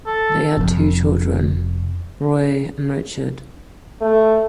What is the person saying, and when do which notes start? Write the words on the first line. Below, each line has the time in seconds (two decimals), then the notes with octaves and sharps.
They had two children, Roy and Richard.
0.06 A4
0.57 F1 F2
4.01 A3